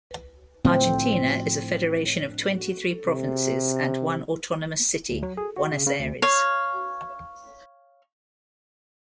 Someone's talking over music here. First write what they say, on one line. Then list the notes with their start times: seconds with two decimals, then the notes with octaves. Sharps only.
Argentina is a federation of twenty-three provinces and one autonomous city, Buenos Aires.
0.65 A2 D3 F3 C4
3.07 C3
5.09 D2
5.23 F#3
5.37 G#4
5.56 F#4
5.71 C#3
5.87 C#3
5.99 D2
6.22 C#5 F5